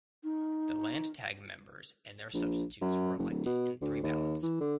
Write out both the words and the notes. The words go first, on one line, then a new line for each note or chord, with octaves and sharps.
The Landtag members and their substitutes were elected in three ballots.
D#4
A#1
F#2
F#1
D1
B2
D2
D#2
E3
D3